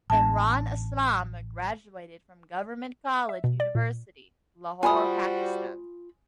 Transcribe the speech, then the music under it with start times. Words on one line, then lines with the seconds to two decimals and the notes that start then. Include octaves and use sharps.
Imran Aslam graduated from Government College University, Lahore, Pakistan.
0.10 A1 B3 D4 A5
3.29 E5
3.44 B2
3.60 D5
3.75 A#2
4.83 G3 F4 F#4 C5 G#5 B5 D#6